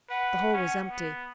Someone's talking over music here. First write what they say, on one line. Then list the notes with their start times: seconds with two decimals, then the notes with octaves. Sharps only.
The hole was empty.
0.10 B4 F#5
0.54 C#4
0.90 B3